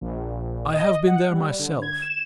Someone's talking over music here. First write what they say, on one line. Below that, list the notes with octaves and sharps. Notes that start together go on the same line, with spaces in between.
I have been there myself.
A#1
D#5
F#5
G3
D3
G#6
E7